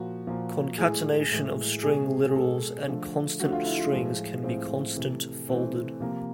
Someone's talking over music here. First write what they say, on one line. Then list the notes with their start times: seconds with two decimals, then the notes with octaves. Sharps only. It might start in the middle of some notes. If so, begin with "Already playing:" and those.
Concatenation of string literals and constant strings can be constant folded.
Already playing: A#2 F3 A#3 F#4
0.27 A#2 F3 A#3
0.78 A2 E3 G#3 G#4
1.31 A2 E3 G#3
1.83 B2 G#3 G#4
2.28 G#4
2.35 B2 G#3 A4
2.87 D3 F3 A3
3.40 D3 F3 A3 F#4
3.52 F4
3.66 E4
3.78 F4
3.92 A2 F3 G#3
4.44 A2 F3 G#3 C4
4.96 C3 E3 A3
5.48 C3 E3 A3 C4
6.00 C3 F3 A#3